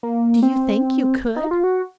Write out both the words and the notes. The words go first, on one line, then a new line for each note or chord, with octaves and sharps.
"Do you think you could?"
A#3
C4
D#4
F4
F#4